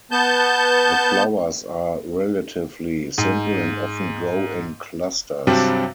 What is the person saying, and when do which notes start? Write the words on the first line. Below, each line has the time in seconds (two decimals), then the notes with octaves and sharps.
The flowers are relatively simple and often grow in clusters.
0.11 B3 A5 G6
3.18 G#2
5.47 G2 C3 F#3 G3 C4 D4